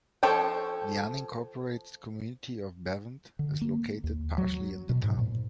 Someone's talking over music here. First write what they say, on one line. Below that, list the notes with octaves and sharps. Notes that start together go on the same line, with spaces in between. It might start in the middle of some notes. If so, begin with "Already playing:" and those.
The unincorporated community of Bevent is located partially in the town.
F3 A4 C#5 G5
D3
A#3
D#2
F#3
B2
G#2
A#2